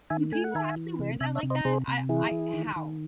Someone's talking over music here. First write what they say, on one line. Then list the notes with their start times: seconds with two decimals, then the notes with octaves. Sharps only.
Do people actually wear that like that? I I how?
0.10 D#3 E5 G#5
0.32 A3 G#5
0.44 F#5
0.55 D#3 E5 G#5
0.76 E3
0.99 C3
1.20 C3 E5 G#5
1.35 C#5 E5
1.43 C3
1.50 C5 D#5
1.65 C3 G#4 C5
1.88 C3
2.09 E3 E4 G#4
2.31 E3
2.53 D#3
2.76 D#3